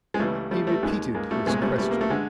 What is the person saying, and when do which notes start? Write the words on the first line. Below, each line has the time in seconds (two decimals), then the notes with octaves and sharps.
He repeated his question.
0.14 G#3
0.19 C#2 C#3 E3 G3 A3
0.51 G3 A3
0.67 G3 A3
0.83 D#2 D#3 G#3
1.15 G#3 A#3
1.31 G3 A3
1.46 C2 A#2 G#3
1.62 G3 A3
1.78 G3 A3
1.91 A#3
2.01 A3
2.10 D3 G#3